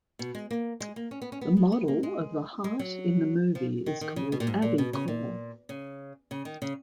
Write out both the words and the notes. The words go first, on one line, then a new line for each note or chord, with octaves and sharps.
The model of the heart in the movie is called AviCor.
B2
G#3
A#3
G#3
A#3
C#4
B3
C#4
B3
B3
B3
A#3
G#3
G#3
F#3
F3
D#3
D#3
C#3
B2
A#2
G#2
A#2
B2
C#3
A#2
C#3
C#3
D#3
C#3